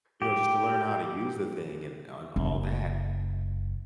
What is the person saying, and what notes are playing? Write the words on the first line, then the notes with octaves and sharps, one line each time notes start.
you know, just to learn how to use the thing and and all that.
G4
F#1